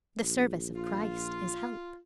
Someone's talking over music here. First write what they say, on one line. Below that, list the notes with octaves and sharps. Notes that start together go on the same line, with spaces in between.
The service of Christ is help.
A#1
F4